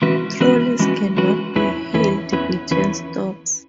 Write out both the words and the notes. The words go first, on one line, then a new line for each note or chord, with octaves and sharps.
Trolleys cannot be hailed between stops.
E3 G#3 C#4 F#4 B4
E3 G#3 C#4 F#4 B4
E3 G#3 C#4 F#4 B4
E3 G#3 C#4 F#4 B4
E2 E3 C#4 E4 B4
E2 E3 C#4 E4 B4
E2 E3 C#4 E4 B4
E2 E3 C#4 E4 B4